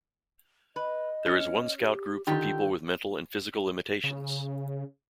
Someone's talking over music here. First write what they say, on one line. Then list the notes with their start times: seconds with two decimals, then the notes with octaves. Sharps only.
There is one Scout group for people with mental and physical limitations.
0.76 B4 D#5
1.26 C#4
1.79 G4
2.27 D3 D#3 F4 G4
4.04 C#3